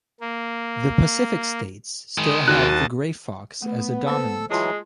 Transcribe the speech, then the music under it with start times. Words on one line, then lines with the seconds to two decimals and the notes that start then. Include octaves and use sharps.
The Pacific States still have the gray fox as a dominant.
0.20 A#3
2.18 D#3 G#3 D#6
2.48 D#2 F#4 D#5 A5 F#6
3.62 A3 B3
4.07 A#3 A4 C5 E6
4.51 E3 F#3 G#3 F4 A5 C6